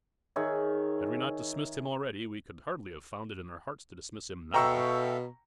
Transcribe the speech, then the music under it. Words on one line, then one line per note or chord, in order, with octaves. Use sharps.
Had we not dismissed him already, we could hardly have found it in our hearts to dismiss him now.
D#3 G#4 C#5 E5
B2 A4 E5 F5 G5 A#5 C#6 E6